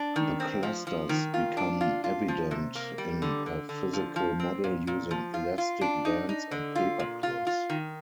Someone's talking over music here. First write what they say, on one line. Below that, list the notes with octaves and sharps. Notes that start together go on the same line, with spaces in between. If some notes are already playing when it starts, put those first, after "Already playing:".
The clusters become evident in a physical model using elastic bands and paper clips.
Already playing: D4
D#3
C4
F3
F3
D#3
F4
D4
F4
F4
F3
C3
A#3
G3
D3
D3
D3
F3
F3
C4
A#2
A#2
F3
F4
F4
D4
D#4
D#4
D3
F4
A#2
F4
F4
D#3